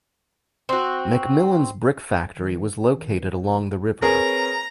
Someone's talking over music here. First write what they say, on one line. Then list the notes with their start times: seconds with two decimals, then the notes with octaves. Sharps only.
McMillan's brick factory was located along the river.
0.69 C4 F#4
4.02 C4 G#4 A#4 B4 C#5 A#5